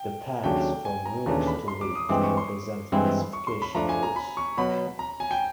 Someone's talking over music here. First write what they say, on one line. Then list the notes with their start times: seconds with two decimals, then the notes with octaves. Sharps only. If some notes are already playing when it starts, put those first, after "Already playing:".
The paths from root to leaf represent classification rules.
Already playing: G5
0.43 D#2 C#3 F#3 A3 D4 G5
0.85 G#5
1.06 A#5
1.26 D#2 C#3 E3 A3 D4 A#5
1.47 B5
1.68 C6
1.81 D6
1.95 D#6
2.09 G2 E3 G#3 C4 D6
2.23 C#6
2.37 C6
2.92 G2 E3 G#3 C4 E4
3.33 C#6
3.47 C6
3.62 B5
3.75 F3 A3 D4 A#5
3.89 G#5
4.03 A#5
4.16 B5
4.37 C#6
4.58 B2 F#3 B3 B5
4.99 A#5
5.20 G#5
5.31 G5